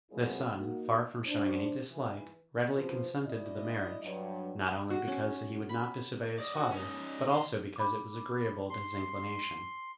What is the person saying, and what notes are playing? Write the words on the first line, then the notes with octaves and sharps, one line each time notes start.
The son, far from showing any dislike, readily consented to the marriage; not only because he would not disobey his father, but also because it was agreeable to his inclination.
A#2 F#3 G#3 A3 C4 E4
A#3 D#4 F#4
D4 C5
E3
F3 F4 B4 C5
D2 E4 D5 D#5
G2 F#3
F#4
C#4
B5
D5 D#5
F#4
C#4 D#4
D2 C6
B5 D6
C6